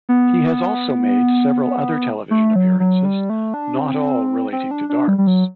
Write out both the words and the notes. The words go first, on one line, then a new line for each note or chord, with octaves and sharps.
He has also made several other television appearances, not all relating to darts.
B3
A3
F#3
F#3
G3
A3
D4
C4
C4
D4
D4
G3
G3
F#3